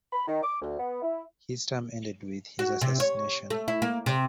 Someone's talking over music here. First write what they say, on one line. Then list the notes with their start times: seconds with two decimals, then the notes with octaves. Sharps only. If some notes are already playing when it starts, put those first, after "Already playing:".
His term ended with his assassination.
0.12 B5
0.27 D#3
0.42 D6
0.61 D2
0.78 B3
1.02 E4
2.59 F#4
2.81 C3
3.00 C#5
3.50 A3
3.68 E4
3.82 A#3
4.06 C3